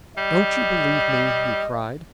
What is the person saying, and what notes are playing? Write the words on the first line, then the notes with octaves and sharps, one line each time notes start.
"Don't you believe me?" he cried.
G3 D#5